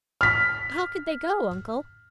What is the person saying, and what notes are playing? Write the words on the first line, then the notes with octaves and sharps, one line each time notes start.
"How could they go, Uncle?"
F6 B6